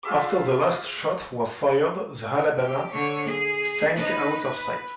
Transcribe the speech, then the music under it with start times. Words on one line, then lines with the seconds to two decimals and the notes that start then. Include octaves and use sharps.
After the last shot was fired the "Alabama" sank out of sight.
0.03 F4 G#4 E5 D6
2.57 G4
2.92 D3 C#5
3.25 G#4
3.94 D#4 B4
4.43 B4